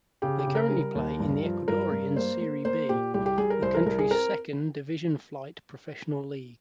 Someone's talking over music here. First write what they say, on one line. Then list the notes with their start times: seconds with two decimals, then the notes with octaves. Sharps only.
They currently play in the Ecuadorian Serie B, the country's second division-flight professional league.
0.22 C#3 G4
0.39 G4
0.47 C#3
0.55 A#4
0.71 G3
0.95 D#2
1.20 G2
1.43 F3
1.68 G2 A#4
1.92 G2
2.16 A#3 C5
2.41 A#3
2.65 A#3 C5
2.89 A#2 G4
3.14 C2 G4
3.26 G4
3.38 G3 G#4
3.50 A#4
3.62 C2 C5
3.74 A#4
3.86 C2 A#4
3.99 G#4
4.11 C4 A#4